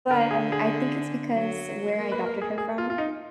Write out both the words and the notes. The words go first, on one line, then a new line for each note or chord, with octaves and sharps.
but I think it's because where I adopted her from,
D3 A#4
G#4
G#4
F#3
A#3
B4
A#4
G#4
G#4
F4
F4
D#4